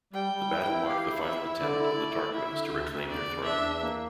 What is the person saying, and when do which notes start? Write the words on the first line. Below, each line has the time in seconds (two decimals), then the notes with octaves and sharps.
The battle marked the final attempt of the Tarquins to reclaim their throne.
0.13 G3 G5
0.33 G3
0.50 E4
0.68 E4
0.87 G4 F5
1.05 E4
1.24 E4 E5
1.42 E4
1.60 D3 D5
1.79 E4
1.98 A3
2.16 E4
2.34 E4 E5
2.52 D3
2.71 D2
2.90 D2
3.08 E2 D5
3.26 E2
3.45 D4 E5
3.63 E2
3.82 A#3